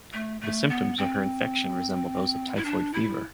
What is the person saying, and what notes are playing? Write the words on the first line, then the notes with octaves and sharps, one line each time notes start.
The symptoms of her infection resemble those of typhoid fever.
A3
A3
B3
C4
E4
D4
E4